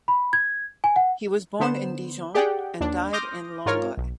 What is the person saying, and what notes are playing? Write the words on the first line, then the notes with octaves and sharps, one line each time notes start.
He was born in Dijon and died in Langres.
B5
G#6
G#5
F#5
D3 B3 C5 E7
G4 G#4 D5 F#5 G5
D#2 D4
C6 D6 D#6 F6 G6 A#6
G#2 F4 A#4 C#5 F6
B1